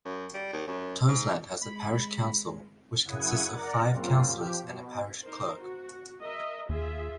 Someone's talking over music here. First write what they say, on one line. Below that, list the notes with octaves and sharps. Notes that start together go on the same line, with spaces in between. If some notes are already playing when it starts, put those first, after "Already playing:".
Toseland has a parish council, which consists of five councillors and a parish clerk.
F#2
G3
D#2
F#2
G#2
G#3 B5
F#2 C#3 E4 F#5 D#6 G#6
A#4 D5 F#5 A#5
F#2 A#2 C#3 C4 F4
F3 G4
B2
D#4 A#4 C5
F#4
A#4 D#5 E5
D#2 F4 G#4 E5